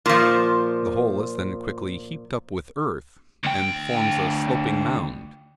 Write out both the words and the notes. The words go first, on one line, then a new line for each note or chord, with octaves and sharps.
The whole is then quickly heaped up with earth, and forms a sloping mound.
A#2 F3
D2 G5